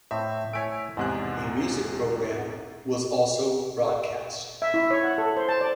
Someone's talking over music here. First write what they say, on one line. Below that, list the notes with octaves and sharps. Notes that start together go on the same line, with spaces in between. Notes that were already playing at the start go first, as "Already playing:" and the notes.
A music programme was also broadcast.
A2 C4 E5
A3 E4 C#5 G#5 D7
E2 G#2 C3 F#6
E5
E4
C#5
F#5
A4
C5
A5
D5